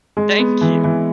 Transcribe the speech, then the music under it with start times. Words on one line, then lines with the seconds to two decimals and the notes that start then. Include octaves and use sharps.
Thank you.
0.17 G#3
0.39 B3
0.61 E3
0.84 E3